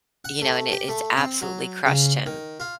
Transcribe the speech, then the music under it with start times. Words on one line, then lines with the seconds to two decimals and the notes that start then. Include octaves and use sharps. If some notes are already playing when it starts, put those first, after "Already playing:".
You know, and it it's absolutely crushed him
0.25 F#5
0.42 A3
0.72 G4
0.89 A3
1.17 C4
1.42 F#3
1.86 C#3
2.26 D#3
2.60 F4